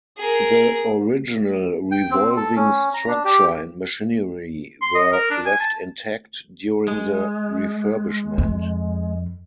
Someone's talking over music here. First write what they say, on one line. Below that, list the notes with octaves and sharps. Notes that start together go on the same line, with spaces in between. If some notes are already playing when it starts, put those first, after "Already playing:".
The original revolving structure and machinery were left intact during the refurbishment.
G#4 A#4
G5
C4
A4
C#4
A#5
D4
G4
C6
D#5
A#4
D4
G#5
A5
G#3
F2